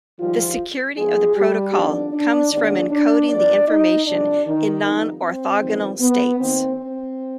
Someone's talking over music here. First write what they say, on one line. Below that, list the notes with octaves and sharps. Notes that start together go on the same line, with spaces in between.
The security of the protocol comes from encoding the information in non-orthogonal states.
G#2 D#3 F3 G3 F4
G#2 F3 G#3 B3 G#4
G3 G4
F2 D#3 G3 B3 D4 D5
D4 D5
D#2 D#3 G#3 B3 D4 D5
D4 D5
G2 F3 B3 D4 D5
D#4 D#5
F2 C3 G3 D4 D5
D#3 D#4
F2 D#3 G3 B3
C4
F2 D#3 G3 B3
B3
D#2 D#3 B3 C4
C4